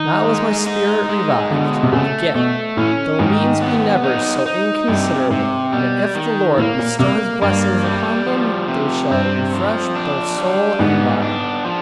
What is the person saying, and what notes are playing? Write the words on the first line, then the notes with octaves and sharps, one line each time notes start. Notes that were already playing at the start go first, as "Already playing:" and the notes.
Now is my spirit revived again; though means be never so inconsiderable, yet if the Lord bestow His blessing upon them, they shall refresh both soul and body.
Already playing: D#3 D#4
G#3
D#4
G#3
B2 D3
C3
C#3 A3
B2 A3
A2 C#4
G#2 D#3
B3
D#4
D#4
G2 C3
G#2 C3
B2 G3
D#3
A2 A#3
A#2
C3 A#3
G2 A#3
G3
F3
C3
G2 C4
F3
D4
G3
G#2 B3
D4
F3